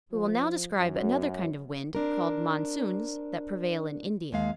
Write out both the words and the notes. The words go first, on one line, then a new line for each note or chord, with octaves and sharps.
We will now describe another kind of wind, called monsoons, that prevail in India.
F3
F#2
C4 D4 A#4
D#2 G#3 F5